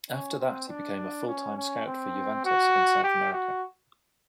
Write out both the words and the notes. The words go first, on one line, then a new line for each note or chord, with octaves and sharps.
After that he became a full-time scout for Juventus in South America.
C#4
C4
D4
C#4
C#4
C4
F#4
G4
F#4